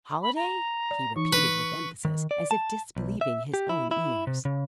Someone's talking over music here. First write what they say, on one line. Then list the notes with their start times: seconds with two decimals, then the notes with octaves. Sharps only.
"Holiday!" he repeated, with emphasis, as if disbelieving his own ears.
0.22 B5
0.36 A#5
0.91 D5
1.16 E3 D#4 C#6
1.33 B4
2.05 D#3
2.31 D5
2.51 A5
2.97 B1
3.21 E5
3.54 G4
3.69 E4
3.91 E4
4.27 C3
4.45 C#3